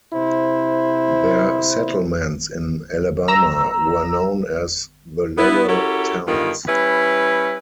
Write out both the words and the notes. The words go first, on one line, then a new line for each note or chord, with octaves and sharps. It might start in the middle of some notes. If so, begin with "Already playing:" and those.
Their settlements in Alabama were known as the Lower Towns.
C3 E4 C5
A#5 E6
B3 E4
C#4 E4 F#4 G4 A4 A#4
G2 D3 D#3 A#3 B3 F4
G3 C#4 E4 B4